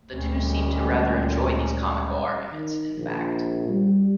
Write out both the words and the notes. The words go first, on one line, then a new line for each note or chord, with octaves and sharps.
The two seem to rather enjoy these comical arguments, in fact.
D2 A#2 G3 G#3 C#4
D#3
A#1
G3